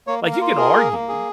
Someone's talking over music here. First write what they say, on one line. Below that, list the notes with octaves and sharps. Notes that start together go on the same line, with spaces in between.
like, you can argue
A#3 C#5
A#3
A#4
F4
G#4 A#4
A#3
A#3
G#4